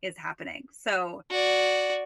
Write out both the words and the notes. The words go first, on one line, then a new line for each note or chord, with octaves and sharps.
is happening?" So
F#4 D5